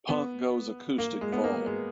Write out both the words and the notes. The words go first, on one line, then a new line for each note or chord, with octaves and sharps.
Punk Goes Acoustic Vol.
B3
A#3
G#3
B3
A#3
G#3